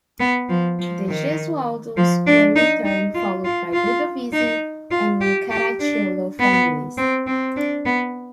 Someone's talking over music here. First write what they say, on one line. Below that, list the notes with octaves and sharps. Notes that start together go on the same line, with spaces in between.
The Gesualdos were in turn followed by the Ludovisi and the Caracciolo families.
B3
F3
F3
D#3
F3
D4
D#4
D#4
F4
F4
F4
D#4
F4
G4
G4
D4
B3
C4
C4
D4
B3